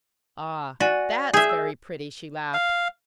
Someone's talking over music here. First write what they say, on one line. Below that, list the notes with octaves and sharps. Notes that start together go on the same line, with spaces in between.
"Ah, that's very pretty!" she laughed.
F#4 D5 G#5
G#4 E5 G6 G#6
E6
F5